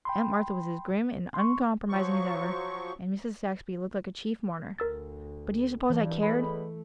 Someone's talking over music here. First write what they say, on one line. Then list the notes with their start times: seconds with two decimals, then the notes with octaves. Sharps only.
Aunt Martha was as grim and uncompromising as ever, and Mrs. Saxby looked like a chief mourner, but do you suppose I cared?
0.05 G5 B5 C6
1.34 C6 C#6
1.88 F3 F#3 C#6
4.78 D2 A#4 E6 A6
5.90 G2 E3
6.22 E2 G#3 A3 B5